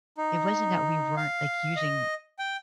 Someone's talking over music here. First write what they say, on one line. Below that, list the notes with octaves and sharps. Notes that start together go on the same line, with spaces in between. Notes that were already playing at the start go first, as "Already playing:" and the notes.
it wasn't that we weren't, like, using
D#4
F5
D#5
G5